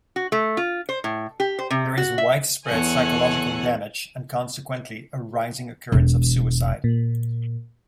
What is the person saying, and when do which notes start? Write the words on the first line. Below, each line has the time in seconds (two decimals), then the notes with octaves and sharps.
There is widespread psychological damage and consequently a rising occurrence of suicide.
0.16 F#4
0.32 A3
0.57 F4
0.89 C5
1.04 A2
1.40 G4
1.59 C5
1.70 C3
1.98 F#4
2.18 E5
2.66 E2 A4 C#5 F#5 G#5
5.92 E1
6.84 A#2